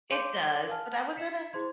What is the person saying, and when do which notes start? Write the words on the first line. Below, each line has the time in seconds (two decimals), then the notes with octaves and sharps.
it does, but I was at a
0.10 G#4 C#5 F5 C6 D6 G6
0.67 A#4 F5 G#5 A5 F6
1.16 B6 C#7 E7
1.53 E4 G#4 C5 C6 G#6